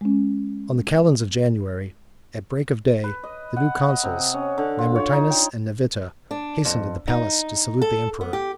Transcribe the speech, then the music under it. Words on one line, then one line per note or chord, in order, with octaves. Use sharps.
On the calends of January, at break of day, the new consuls, Mamertinus and Nevitta, hastened to the palace to salute the emperor.
G#3 C#4
B4
D#5
F#5
D#5
C3
C#4
D3
F4
C#5
D#4
G5
D4
F2
D#4
A4
B3
G4